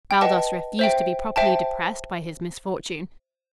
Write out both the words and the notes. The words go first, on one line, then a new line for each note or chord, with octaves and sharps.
Baldos refused to be properly depressed by his misfortune.
G5
B4 D#5 F#5 A5
C5 E5 G5
C5 E5 G5 A5